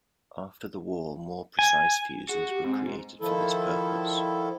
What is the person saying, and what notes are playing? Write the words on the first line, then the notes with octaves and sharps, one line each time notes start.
After the war more precise fuses were created for this purpose.
G#5
F#4 G#4
G4
G#2 C4
D#3 F3 E4 A4